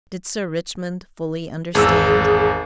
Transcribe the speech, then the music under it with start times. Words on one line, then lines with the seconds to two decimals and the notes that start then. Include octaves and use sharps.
Did Sir Richmond fully understand?
1.75 G#1 E2 G#4 E6